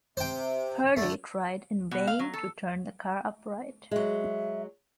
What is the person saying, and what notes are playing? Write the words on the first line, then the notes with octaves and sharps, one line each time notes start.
Purley tried in vain to turn the car upright.
C3 C5 G5
D3 A3
B2
F5
F#3
A4
F#3 G#3 E5